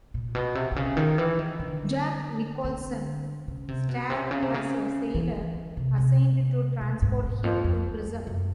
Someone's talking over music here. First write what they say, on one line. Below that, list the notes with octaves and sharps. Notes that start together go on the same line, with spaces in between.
Jack Nicholson starred as a sailor assigned to transport him to prison.
A#2
B2
C3
C3
C#3
D#3
E3
D#3
D3
D3
C#3
C3
B2
C3
C#3
C3
C#3
E3
E3
C3
C3
B2
G#2
E2
F2
F2
F#2
F#2